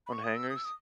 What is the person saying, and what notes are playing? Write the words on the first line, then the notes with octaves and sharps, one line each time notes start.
On hangers?
B5
C#6
D#6
E6
D#6
E6
D#6